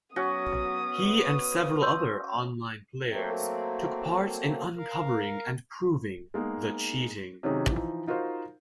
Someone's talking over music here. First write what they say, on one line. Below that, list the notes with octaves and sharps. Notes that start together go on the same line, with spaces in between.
He and several other online players took part in uncovering and proving the cheating.
F#3 B3 C#4 F#4 D#6
B4
C6 E6 G6
F#3 A3 A#3 C4
A#4 F5
G#3 A#3 B3 D#4
C3 D#3 F#3 C#4 D#4 G#4
E3 F3 D#4
D#4 F4 F#4 A#4 C5 F5